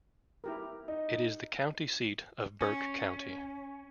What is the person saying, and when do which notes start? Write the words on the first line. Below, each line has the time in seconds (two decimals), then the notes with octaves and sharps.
It is the county seat of Burke County.
0.44 E4 G4 A#4
0.88 D#4
2.61 C#4